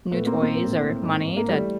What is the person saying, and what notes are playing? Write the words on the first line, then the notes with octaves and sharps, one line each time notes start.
new toys or money that
A#2 A3 B3
A#3 C4
A#2
A#3 C4
A2
A2
G#2
G#2
A#3
E3 G3 A3